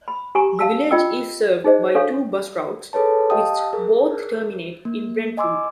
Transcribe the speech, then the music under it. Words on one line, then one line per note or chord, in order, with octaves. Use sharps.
The village is served by two bus routes which both terminate in Brentwood.
B5
G4 G#5 A#5 C#6
F5 A5 E6
F4 D#5 G5 E6
D#4 G#4 C5 D#5
D4 A4 C#5 F5 C#6
G#4 A4 B4 C#5 A5
G4 D#5 F5 G5 A5 D#6
G#4 A#4
A#3
D#5 G#5 C6 D6 E6